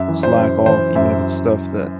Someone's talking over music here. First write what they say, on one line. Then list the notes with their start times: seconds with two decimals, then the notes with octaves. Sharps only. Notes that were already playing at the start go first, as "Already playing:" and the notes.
slack off even if it's stuff that
Already playing: F#2 E5
0.08 E3
0.23 C5
0.37 F#2
0.66 E3 C5
0.95 F#2 E5